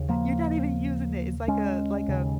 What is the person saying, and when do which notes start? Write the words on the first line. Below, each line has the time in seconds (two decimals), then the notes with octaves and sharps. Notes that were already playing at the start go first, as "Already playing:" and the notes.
You're not even using it. It's like a like a
Already playing: D#2 C#3
0.09 F3 A#3
1.48 G#3 C#4
2.08 D#2 C#3